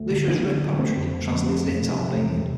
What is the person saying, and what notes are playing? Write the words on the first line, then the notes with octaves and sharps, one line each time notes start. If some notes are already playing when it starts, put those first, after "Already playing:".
Lusha has written poetry and translated it into Albanian.
Already playing: D2 A3
D3
D3 B3 D4
D2
D2
D3 A3 C4
F2
D3
F2
F2
F2
C3
C3
E2
C3